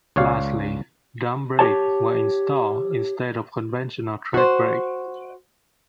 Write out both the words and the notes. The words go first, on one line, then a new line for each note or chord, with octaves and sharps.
Lastly, drum brakes were installed instead of conventional tread brakes.
C#2 C#5 D5 F5
G4 C#5 A5
F#4 C5